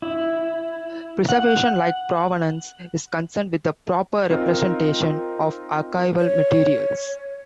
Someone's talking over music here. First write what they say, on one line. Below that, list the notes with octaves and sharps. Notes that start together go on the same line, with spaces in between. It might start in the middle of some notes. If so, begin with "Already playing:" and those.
Preservation, like provenance, is concerned with the proper representation of archival materials.
E4
F#5
C4 D#4 F4 A#4
C#5